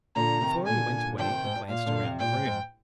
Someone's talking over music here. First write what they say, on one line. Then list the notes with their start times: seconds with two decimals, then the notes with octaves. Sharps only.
Before he went away, he glanced around the room.
0.15 A#2 D3 A#5
0.41 C3 D#3
0.66 A#2 D3 G#5
1.18 D3 F3 G5
1.30 C3 D#3
1.44 G#2
1.56 G2
1.69 A#2 F5
1.85 A#2 D3
2.03 C3
2.19 A#2 G5
2.33 G#2
2.45 G#2